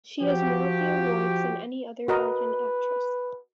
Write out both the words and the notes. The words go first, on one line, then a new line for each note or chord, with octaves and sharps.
She has more of the awards than any other Belgian actress.
F3 F#4 G4
F#4 A#4 B4 D#5